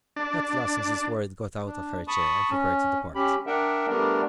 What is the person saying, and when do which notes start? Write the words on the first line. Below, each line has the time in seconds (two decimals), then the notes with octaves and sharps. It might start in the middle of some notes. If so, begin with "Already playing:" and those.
At last Mrs. Worrett got out of her chair, and prepared to depart.
0.16 D4
1.67 D4
2.08 A5 B5 C#6 D#6
2.51 C#4
3.15 C#4 G4 B5
3.47 D4 A#4 E5 F#5 G5
3.88 G3 A3 B3 D4 A#4